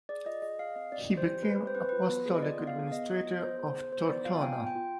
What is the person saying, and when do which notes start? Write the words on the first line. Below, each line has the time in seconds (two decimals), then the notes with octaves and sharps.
He became apostolic administrator of Tortona.
0.09 G#4 D5
0.26 F4 D#5
0.42 G#4 D#5
0.59 G#4 F5
0.76 C4 D#5
0.92 C4 D5
1.09 C4
1.17 C5
1.26 G4
1.42 G4 B4
1.59 C4
1.67 C5
1.75 C4 B4
1.89 F4 B4
2.09 B3
2.26 G#4
2.35 D#5
2.42 F4 D5
2.59 B3
2.67 F5
2.76 G#4
2.92 B3 D#5
3.09 B3
3.17 D#5
3.25 F4
3.42 B3 C5
3.59 G#4
3.67 C5
3.76 B3
3.92 B3 C5
4.08 B3 D5
4.25 F4 F5
4.38 G#5
4.41 B3 G5
4.58 F4
4.67 G5
4.75 F4